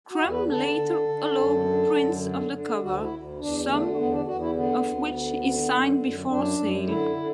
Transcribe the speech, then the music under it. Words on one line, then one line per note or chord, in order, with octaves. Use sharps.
Crumb later allowed prints of the cover, some of which he signed before sale.
F#4
E2
B4
D3 A4
D3
D3
F#2
D3
F#2
D3
D3
D2 F#4
E4
D2
E2 D4
D3 A3
E2 B3
D4
E2 F#4
E4
D3 B3
D2
D3
D3
F#2
F#2
F#2 D4
F#2
D3 E4
D3